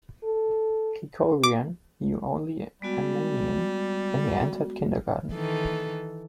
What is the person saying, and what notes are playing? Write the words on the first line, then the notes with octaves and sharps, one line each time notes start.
Krikorian knew only Armenian when he entered kindergarten.
A4
D6
G3 G#3 B3 F#4
D#3 E3 A4